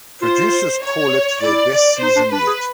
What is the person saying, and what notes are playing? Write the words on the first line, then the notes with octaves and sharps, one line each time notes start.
Producers called it their best season yet.
F4 C5
C#5
E4 D5
D5
D#4 C5
D4
D4 B4
G#4